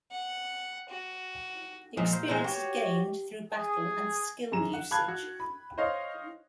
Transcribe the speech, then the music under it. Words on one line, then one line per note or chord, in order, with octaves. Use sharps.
Experience is gained through battle and skill usage.
F#5
F#4
A#2 F3 G#3
C5
A#2 E3 G#3 C5
F#4 G4 C#5
G#4
F#2 G#4 A#5 E7
F#5
F5 A5 B5 F#6 G#6
F#4
B5
C5 C#5 D#5 F5